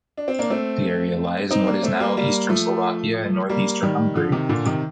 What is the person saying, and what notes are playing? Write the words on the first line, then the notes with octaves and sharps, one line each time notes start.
The area lies in what is now eastern Slovakia and north-eastern Hungary.
D4
C4
A#3 D4
A3 C4
C4 D#4
A#3 D4
A3 C4
G3 A#3
G3 A#3
F3 A3
G3 A#3
D#3 G3
D3 F3
C3 D#3
A#2 D3
C3 D#3